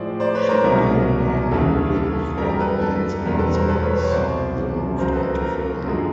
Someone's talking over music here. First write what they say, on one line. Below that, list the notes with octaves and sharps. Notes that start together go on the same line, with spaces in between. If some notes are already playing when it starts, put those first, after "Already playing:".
She began by modelling for men's magazines, then moved on to film.
Already playing: A2 F3 G#3 C5 D5
C5 D5
B4 C#5
A#4 C5
C2 B2 F#3 A#4
D#2 C#3 E3 A4
A4
F#2 D#3 G3 A#4
A#4
A4 B4
A4
E2 B2 G3 A#4
A4 B4
A#4 C5
A4 B4
B4 C#5
B4 C#5
C2 B2 F#3 C5 D5
C#2 C#3 F#3 A#4 C5
A4 B4
A#4
A#4
F#2 D3 F3 G#3